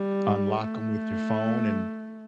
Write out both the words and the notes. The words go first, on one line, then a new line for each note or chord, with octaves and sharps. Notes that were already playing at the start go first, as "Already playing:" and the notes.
unlock 'em with your phone, and
Already playing: G3
A3